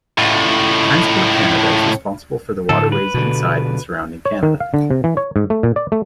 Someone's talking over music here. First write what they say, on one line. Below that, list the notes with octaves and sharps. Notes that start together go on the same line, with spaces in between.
Transport Canada is responsible for the waterways inside and surrounding Canada.
C#2 A2
A2 D3 A4
B4
B2 D3
C#5
D#3
F5
D3
C3
E3
C#5
G#2
A3
A#2
D5
A3